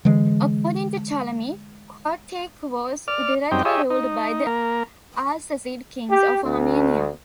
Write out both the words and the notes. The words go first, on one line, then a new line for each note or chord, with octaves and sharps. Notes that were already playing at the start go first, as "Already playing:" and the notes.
According to Ptolemy, Kotayk was directly ruled by the Arsacid kings of Armenia.
D3 E3 G#3
D5 F6
F#2 G3 C4 D#4 G5
G4 G#4 C#5 D#5 E5
D#4
A#3 A#4
G4
D2